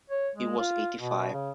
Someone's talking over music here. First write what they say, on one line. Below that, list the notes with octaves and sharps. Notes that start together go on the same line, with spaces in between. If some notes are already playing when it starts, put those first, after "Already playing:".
He was eighty-five.
C#5
G#3
F4
B2
C#3